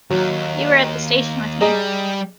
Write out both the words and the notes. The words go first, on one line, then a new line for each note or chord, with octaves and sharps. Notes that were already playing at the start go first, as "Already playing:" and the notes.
You were at the station with me.
D#2 F#3
G3 G#4 D#5 A#5